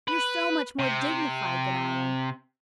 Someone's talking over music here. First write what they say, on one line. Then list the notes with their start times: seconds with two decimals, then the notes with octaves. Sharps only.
You're so much more dignified than I am.
0.08 B4
0.79 C3